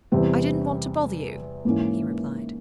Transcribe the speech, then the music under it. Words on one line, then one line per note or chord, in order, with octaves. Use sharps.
"I didn't want to bother you," he replied.
E2 C3 G3 C4
G#2 E3 A#3 C#4